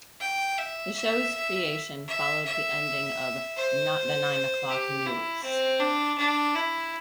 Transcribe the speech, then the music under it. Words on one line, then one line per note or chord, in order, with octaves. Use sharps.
The show's creation followed the ending of "Not the Nine O'Clock News".
G5
E5
E5
E5
E5
C5
G4
E4
C4
D4
D4
E4